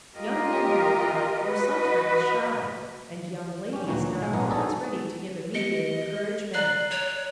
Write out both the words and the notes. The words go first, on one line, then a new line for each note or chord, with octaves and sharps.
Young men, he thought, were sometimes shy, and young ladies not always ready to give immediate encouragement.
F4 G4 A#4 D#5
F#4 B4 D#5
C#4 G4
D2 A#2 E3 F#3 F#4
B1 A2 G#3
A#1 F#3 B3 A#4 F#5
F#4 G#4 A4 B4 D5 D#5
G4 D#5 C#7 D7
D5 A#5 F#6 C7
C#5